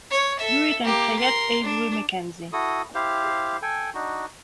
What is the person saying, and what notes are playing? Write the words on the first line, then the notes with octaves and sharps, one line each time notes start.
Hewitt and Fayette Avery McKenzie.
C#5
A4 E5
A#3 G4
A#4 C6
D4
E4 F#4 A4 D#6
E4 G4 C5 F5
A4 G5 G#5
D4 D#4 F#4